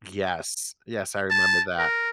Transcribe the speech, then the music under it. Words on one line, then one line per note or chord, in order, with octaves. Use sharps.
Yes. Yes, I remember that.
A5
A#4